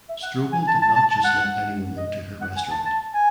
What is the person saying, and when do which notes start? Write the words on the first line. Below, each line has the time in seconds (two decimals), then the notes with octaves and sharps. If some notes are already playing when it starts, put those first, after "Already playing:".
Strobel did not let just anyone into her restaurant.
0.09 E5
0.23 F#5
0.52 G#5
0.67 A5
0.82 A5
0.95 A5
1.11 A5
1.24 F#5
1.97 D#5
2.41 F#5
2.56 G#5
2.71 A5
2.85 A5
3.14 G#5